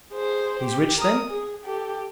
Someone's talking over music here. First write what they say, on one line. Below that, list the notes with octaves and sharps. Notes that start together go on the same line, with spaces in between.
"He is rich, then?"
G#4 C5
G4
A#4 D#6
G#4
G4 A4